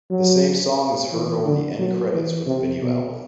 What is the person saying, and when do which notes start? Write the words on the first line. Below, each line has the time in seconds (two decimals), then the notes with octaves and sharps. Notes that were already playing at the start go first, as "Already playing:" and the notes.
The same song is heard over the end credits for the video album.
0.11 F#3
1.12 E3
1.45 D3
1.79 F#3
2.14 E3
2.47 C3
2.81 B2